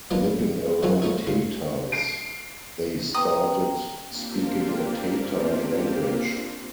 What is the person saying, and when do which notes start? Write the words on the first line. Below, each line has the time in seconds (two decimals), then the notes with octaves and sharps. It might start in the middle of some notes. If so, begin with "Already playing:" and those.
Living around Tatars, they started speaking a Tatar language.
0.11 F#3 A#3 B3 D4 D#4 F4
0.83 D#3 F#3 C4 C#4 F4 F#4
1.02 A3 C#4 D#4 F4 G#4
1.27 C#3 F4
1.92 C7 D7
3.14 B3 G5 A#5 D#6
4.07 A#3 C4 D4 F4 G4 A#4